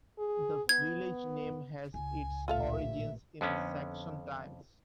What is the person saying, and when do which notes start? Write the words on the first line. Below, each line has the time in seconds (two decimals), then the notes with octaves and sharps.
The village name has its origins in Saxon times.
0.19 G#4
0.69 B3 G#6
1.94 C#2 G#5
2.48 A1 A#2 F4 A4 E5 F5
3.41 F2 D3 B3 C#4